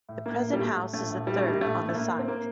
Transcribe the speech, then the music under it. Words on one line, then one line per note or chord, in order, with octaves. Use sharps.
The present house is the third on the site.
A2
A2 A#3
A#1
G3
A2 A3
A2
A#1 A3
A#1
A#1 G3
A3
A2 G3
A#1 A3
A2
A3
A2 A#3
A2
C4
A#3